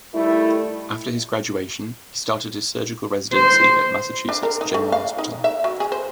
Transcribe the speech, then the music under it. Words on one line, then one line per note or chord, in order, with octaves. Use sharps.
After his graduation, he started his surgical residency at Massachusetts General Hospital.
D#3 G3 A3 E4
C5
D4
A#4
D#4
A3
F5
D#4
E5
F#3
G#4
C5